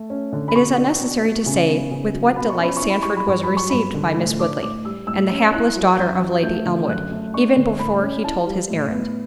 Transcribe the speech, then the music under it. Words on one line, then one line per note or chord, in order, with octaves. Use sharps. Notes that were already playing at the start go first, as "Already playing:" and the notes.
It is unnecessary to say with what delight Sandford was received by Miss Woodley, and the hapless daughter of Lady Elmwood, even before he told his errand.
Already playing: A3
C#4
D3
B5
B2 C#6
D4
B2
A3
C#3
B3
C#3
F#3
B2 B5
C#6
C#4 B5
E4 C#6
B5
G3 C#6
B5
G2 C#6
B5
F#3
C#6
G2 B5
D3
A2
D4 D6
A2 D6
G3 E6
A2 E6
C#4
E4 F#6
F#3
F#2 G6
F#3
A3 G6
D3
F#2 F#6
A3
D4 C#6
D3
A2 B5
C#4
E4 A5
G3
A2
B3